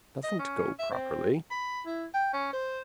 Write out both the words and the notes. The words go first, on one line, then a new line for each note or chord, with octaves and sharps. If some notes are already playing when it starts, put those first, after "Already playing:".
Doesn't go properly.
D#5
C#4
E5
C4
B5
E4
G5
C#4
C5